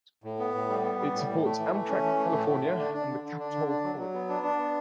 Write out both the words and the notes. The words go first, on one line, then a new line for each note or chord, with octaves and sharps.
It supports Amtrak California and the "Capitol Corridor".
A2
B3
A2
G3
B3
G3
A2
A2
A3
E3
A3
C#4
E3
A3
A2
A3
D3
D4
D4
D3
D3
D4
D3
D4
F#3
F#3
B3
D4
D4
B3